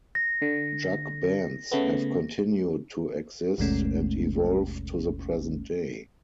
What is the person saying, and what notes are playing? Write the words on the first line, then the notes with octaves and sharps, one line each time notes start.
Jug bands have continued to exist and evolve to the present day.
A#6
D3
C#3 A3 B3
G#1 D#2 B2 G#3 A3 C#4